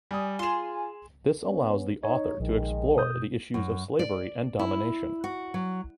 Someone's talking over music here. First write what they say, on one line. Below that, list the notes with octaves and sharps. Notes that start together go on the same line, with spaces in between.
This allows the author to explore the issues of slavery and domination.
G3 G#5 D#6
F4 G#4 C6 E7
B3 C#4
D#4 C#5
A#1 D#3 G#3
B2 D#6 G6
F#2
D5
E4
F#4
F#3